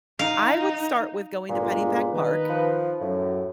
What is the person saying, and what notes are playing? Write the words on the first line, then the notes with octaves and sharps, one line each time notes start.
I would start with going to Pennypack Park,
D#4 F5
G1 A#2 G#3
D#3 D#4 B4
F3
F#2 A2